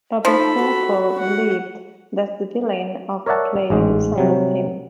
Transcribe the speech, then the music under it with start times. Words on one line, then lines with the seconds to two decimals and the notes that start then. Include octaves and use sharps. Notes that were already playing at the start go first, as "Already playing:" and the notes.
Robert Walpole believed that the villain of the play resembled him.
0.25 F3 D#4 A4 B5
0.57 F#4
1.18 F#5
3.26 A#4 C#5 D5 E5 F#5 A5
3.70 A1 G#2 G#3
4.16 C3 F#3 G3